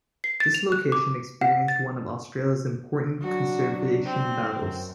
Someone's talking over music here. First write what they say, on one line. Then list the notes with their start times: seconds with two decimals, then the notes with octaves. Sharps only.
This location experienced one of Australia's important conservation battles.
0.24 C7
0.40 A6
0.54 F7
0.72 F#6
0.92 D6
1.41 F#5
1.68 A6
3.21 F#3 D4 F#4
4.05 C4
4.57 F#2